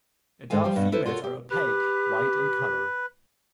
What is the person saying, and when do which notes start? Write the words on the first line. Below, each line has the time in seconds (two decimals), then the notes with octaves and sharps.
Adult females are opaque white in colour.
0.50 G#2 G#3 A4 F5 G#5
0.64 F3 G3 F5 G5
0.76 G2 B2
0.92 E4 A4 B4 C5
1.06 F4 F#4 A4 A#4 C#5
1.24 G4
1.50 G4 B4